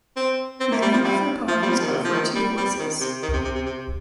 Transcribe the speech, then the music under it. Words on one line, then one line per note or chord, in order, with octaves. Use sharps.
Many of her poems are for two voices.
C4
C4
A#3
G3
F3
G3
F3
G3
F3
D#3
C3
F3
D#3
G3
G3
D#3
C3
D#3
C3
C3
C3
C3